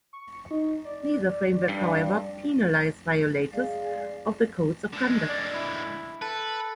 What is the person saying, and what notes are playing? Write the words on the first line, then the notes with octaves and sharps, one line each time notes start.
Neither framework, however, penalizes violators of the codes of conduct.
C#6
D#4
D5
G2
G#3 D5 F5
D3 G#3
D5
E4
A4 B4